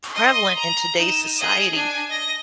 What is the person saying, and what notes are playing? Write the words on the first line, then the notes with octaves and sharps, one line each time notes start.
prevalent in today's society,
D#5 C6
A#5
D#4 E7
G#4 D#5
D4 G#5
D#5 A#6